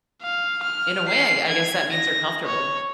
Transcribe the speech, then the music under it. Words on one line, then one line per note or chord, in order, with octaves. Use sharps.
in a way, I g I guess that means they're comfortable.
F5
F6
C7
G#6
A#6
C#5